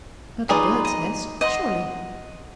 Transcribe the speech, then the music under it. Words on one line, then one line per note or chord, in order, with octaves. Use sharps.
Not a bird's nest, surely.'
D#4 F4 G#4 B4 D5 C6
D#5
D#5 F#5 C6